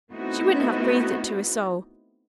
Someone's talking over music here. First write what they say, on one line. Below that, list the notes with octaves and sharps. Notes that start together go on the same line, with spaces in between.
She wouldn't have breathed it to a soul.
A3 B3 C4 D#4 E4 F#4